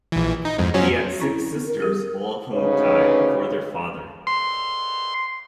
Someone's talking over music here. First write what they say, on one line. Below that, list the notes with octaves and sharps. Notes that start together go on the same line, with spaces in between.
He had six sisters, all of whom died before their father.
A#1 E3
D#4
F2 G#2
F3 F#3 C#4
C4 C#4 E4 C#6
B3
A#4
G3 G4 G#4
D2 C#3 D#4 B4 C#5
C6